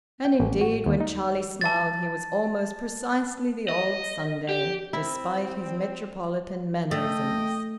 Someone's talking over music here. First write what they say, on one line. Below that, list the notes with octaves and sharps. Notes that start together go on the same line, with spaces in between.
And indeed, when Charlie smiled, he was almost precisely the old Sunday, despite his metropolitan mannerisms.
G5
A1
F#4
D#2
D#4
A5 A6
D#5
G4
C4 E4
A3 D#5 G5